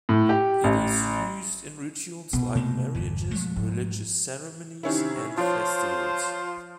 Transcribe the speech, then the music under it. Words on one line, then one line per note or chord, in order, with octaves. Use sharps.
It is used in rituals like marriages, religious ceremonies and festivals.
A2
G4
A1
B2
C3 A3 A#3
G1 E2
F3 G#3 A3
G#2
C3 D#3 C#4 E4
F3 F4 C5 C#5 A5